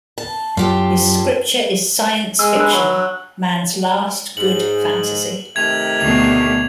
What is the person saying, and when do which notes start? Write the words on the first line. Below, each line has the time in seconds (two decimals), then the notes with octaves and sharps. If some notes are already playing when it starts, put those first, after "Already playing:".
His scripture is Science Fiction, Man's last, good fantasy.
0.18 A5
0.57 F#2 F4 G4 A4
2.39 G#3 E6
2.56 D4 B5 E6 F#6
2.73 F#3 B5
4.37 G#2 F#7
5.56 C3 D#3 A3 G#6 F7
6.00 D2 B2 F7